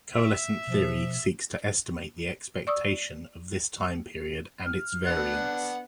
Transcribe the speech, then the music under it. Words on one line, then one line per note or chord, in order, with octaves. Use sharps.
Coalescent theory seeks to estimate the expectation of this time period and its variance.
E5
B2 F3
D5 C#6 D#6 E6
F6
B3 D4 F#5 F#6